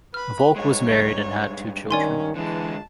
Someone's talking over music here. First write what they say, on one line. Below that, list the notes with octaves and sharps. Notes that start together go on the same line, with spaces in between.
Volk was married and had two children.
B4 B5 F6
G2 G#3 C#5
D#3 C#4 D5 G#5 C6
D3 E3 G#3 A5